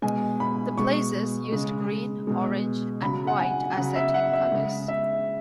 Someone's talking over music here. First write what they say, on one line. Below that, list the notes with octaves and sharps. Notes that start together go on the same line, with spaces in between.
The Blazers used green, orange, and white as their team colors.
B2 G#3 G#5
B5
B2 G#3 C#6
C#3 G#3
B2 G#3
C#3 F#3 B5
F#5
G#5
C#3 F#3 F#5
E5
F#5
E5
C#3 G#3
E5